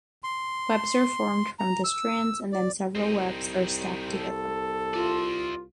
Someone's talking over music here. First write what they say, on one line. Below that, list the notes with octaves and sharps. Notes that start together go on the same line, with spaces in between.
Webs are formed from the strands and then several webs are stacked together.
C6
A#5
E6
D5
C2 C4 D#4
A4
F4 D5 E5